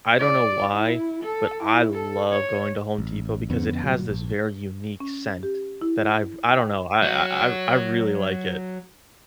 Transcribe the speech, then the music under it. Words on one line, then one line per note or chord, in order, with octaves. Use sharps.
I don't know why, but I love going to Home Depot because it has this very unique scent that I've I don't know, I I I I really like it.
D5
E4
A4
E4
A4
C#5
A1
F2 D3 B3 C#4
G1 A#2 F#3
A#1
C#4
G4
E4
G5
F#3 F#4